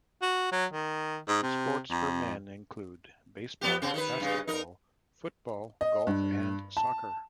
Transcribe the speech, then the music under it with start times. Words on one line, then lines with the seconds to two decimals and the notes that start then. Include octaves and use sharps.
Sports for men include baseball, basketball, football, golf and soccer.
0.22 F#4
0.52 F#3
0.73 D#3
1.28 G#2
1.43 C3
1.91 F2
3.61 F3 B3 G4
3.82 C#3 C4
3.94 D#3 B4
4.20 G2 C#3
4.47 D#4 A#4
5.81 D#5
6.07 G2
6.77 A5